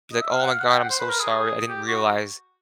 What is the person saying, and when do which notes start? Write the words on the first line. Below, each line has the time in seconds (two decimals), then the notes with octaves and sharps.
be, like, "Oh my god. I'm so sorry. I didn't realize,"
0.12 D#5
0.22 E5
0.31 F5
0.41 F#5
0.51 F5
0.61 F#5
0.71 G5
0.81 F#5
0.90 C5
1.00 B4
1.10 A#4
1.19 G#4
1.68 G4
1.88 F#4